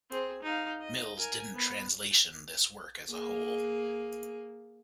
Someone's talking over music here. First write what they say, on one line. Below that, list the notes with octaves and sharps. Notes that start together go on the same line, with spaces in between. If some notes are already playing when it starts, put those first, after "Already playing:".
Mills didn't translation this work as a whole.
C4 G#4
D#4 F5
D#5
A#4 G#5
B3
A#3 G#4